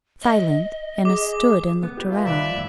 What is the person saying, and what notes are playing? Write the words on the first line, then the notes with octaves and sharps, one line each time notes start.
Silent, Anna stood and looked around.
D#5
G#4 D6
B3
G4 B4
A3 F4
C2 D5 E5 B5 F#6
F2 A2 D#3